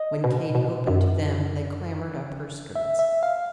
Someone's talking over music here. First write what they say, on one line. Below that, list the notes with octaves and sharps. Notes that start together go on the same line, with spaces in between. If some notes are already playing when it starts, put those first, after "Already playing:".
When Kate opened to them, they clambered up her skirts.
Already playing: D#5
B2
B2
F#2
E5
E5
F5